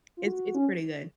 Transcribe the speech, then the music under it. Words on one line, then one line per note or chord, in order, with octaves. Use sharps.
It's it's pretty good.
F4
F#4
C#4